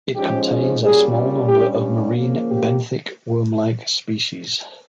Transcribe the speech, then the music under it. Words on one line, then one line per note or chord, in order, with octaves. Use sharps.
It contains a small number of marine benthic worm-like species.
G#2 F3 G#3 C#4 G4
A#2 G3 C#4 G#4
G2 G3 C#4 G4
C#3 F3 A#3
G4